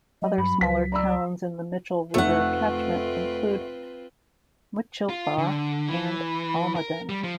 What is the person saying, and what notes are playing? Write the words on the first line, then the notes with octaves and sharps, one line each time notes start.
Other smaller towns in the Mitchell River catchment include Mutchilba and Almaden.
F#3 D#5
G2 B5
C#2 B4 B6
D5 A#5 B5 E6
F1 A3 C4 D#4 F4 B4 F#5 E6
F4
D3
E3
A#4
G3
F3